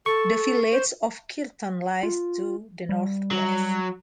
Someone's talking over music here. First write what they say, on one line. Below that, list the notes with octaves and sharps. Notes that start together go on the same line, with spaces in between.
The village of Kirton lies to the north-west.
A4 C#6
C5
F4
G3
F#3